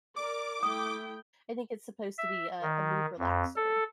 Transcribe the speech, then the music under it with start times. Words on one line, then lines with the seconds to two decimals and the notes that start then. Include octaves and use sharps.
I think it's supposed to be a a mood relaxer.
0.16 A#4 D5 D6
0.63 A3 E4 G5 D#6
2.18 E5
2.62 D#3
3.19 F2
3.56 A4